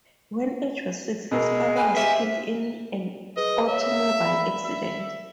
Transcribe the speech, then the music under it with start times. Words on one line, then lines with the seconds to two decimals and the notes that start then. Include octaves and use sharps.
When Agee was six, his father was killed in an automobile accident.
1.31 B2 G#3 A#4 E6
1.77 B4 F5 G5 G#5
1.97 G4 C5 E5 F5 G#5
3.37 G#4 B4 D#5
3.69 C#5 E5 F5
4.24 D5 B5
4.65 E5